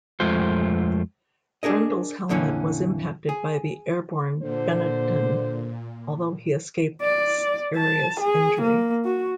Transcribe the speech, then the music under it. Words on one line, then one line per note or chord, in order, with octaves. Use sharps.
Brundle's helmet was impacted by the airborne Benetton although he escaped serious injury.
F2 G#3 A3 F4 C5
D4 G#4 A#4 D#5
F2 A#2 D3 E3 C#4
G#4
A#2 D3 C5
D5
A5
G#4
A#3
F#4